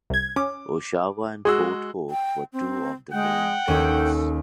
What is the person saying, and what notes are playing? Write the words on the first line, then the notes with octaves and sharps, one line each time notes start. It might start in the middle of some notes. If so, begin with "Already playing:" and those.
Oshawa and Port Hope were two of the main towns.
C2 G#6
C#4 D6
G#3 F#4 G#4 E6
G5
C4
G#3 F#5 G5
D#2 C#4 A4